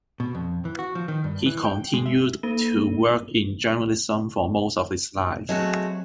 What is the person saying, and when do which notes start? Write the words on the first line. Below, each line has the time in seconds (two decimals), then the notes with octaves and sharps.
He continued to work in journalism for most of his life.
0.20 B2
0.35 F2
0.65 E3
0.79 F#4
0.95 F3
1.08 D#3
1.24 G2
1.46 E3
1.65 G5
1.94 G#3
2.06 E5
2.43 A#3 D#4 A4 D#7 G7
5.49 F#3 G#3 A3 C4 F#4